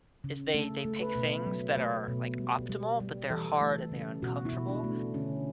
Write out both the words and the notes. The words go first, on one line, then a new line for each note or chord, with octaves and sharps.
is they they pick things that are, like, optimal, but they're hard and they're uncomfortable,
C#3
A3 A4
A3
B4
B2
F#3
A3
B2
G3
G3
G3
E3 A4
A3
C#3
B2 F#4
E4
B2
D4
A3
D4
D3 C#4